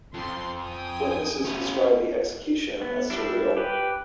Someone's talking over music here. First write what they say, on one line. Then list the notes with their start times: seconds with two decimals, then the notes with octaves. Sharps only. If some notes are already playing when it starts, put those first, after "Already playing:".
Witnesses described the execution as surreal.
0.14 F2 F3 C6
0.62 G5 G#5 D#6
1.45 C#4 E4
2.81 B3
3.10 G3 D4 E4
3.57 G4 B4